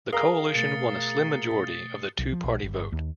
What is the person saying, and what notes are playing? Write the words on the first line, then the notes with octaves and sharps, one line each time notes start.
The Coalition won a slim majority of the two-party vote.
G#4 A#4 F5 A#5 D#6 C7 G7
B2 A3 A6 C#7 G7
B1
F3
A#1
G1
D#2